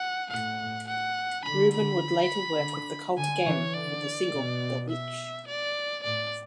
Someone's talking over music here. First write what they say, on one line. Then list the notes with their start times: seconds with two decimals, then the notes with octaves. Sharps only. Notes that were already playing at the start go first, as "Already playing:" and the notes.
Rubin would later work with The Cult again for the single "The Witch".
Already playing: F#5
0.30 A2 F#5
0.88 F#5
1.45 D3 B5
1.74 B5
2.60 D3
3.18 D3 G#5
3.46 E3 C#5
3.74 D3 D5
4.32 B2
4.90 E5
5.47 D5
6.04 A2 D5